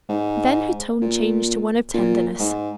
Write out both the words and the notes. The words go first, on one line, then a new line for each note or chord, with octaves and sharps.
Then her tone changed to one of tenderness.
G#2
A#2
A#2
G#2